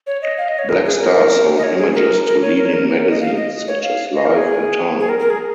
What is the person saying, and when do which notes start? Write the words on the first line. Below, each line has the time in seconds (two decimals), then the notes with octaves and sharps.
Black Star sold images to leading magazines such as "Life" and "Time".
0.07 C#5
0.22 D#5
0.38 F5
0.48 D#5
0.59 C#5
0.69 A#4
0.85 G#4
1.00 A#4
1.58 D#5
1.63 C#5
1.79 G#4
1.94 A#4
2.26 A#4
2.42 C#5
2.57 A#4
2.65 C#5
2.73 A#4
2.89 C#5
2.99 A#4
3.10 D#5
3.20 F5
3.36 D#5
3.67 C#5
3.83 F5
4.14 D#5
4.25 A#4
4.36 G#4
5.00 G#4
5.09 A#4
5.19 A#4
5.30 G#4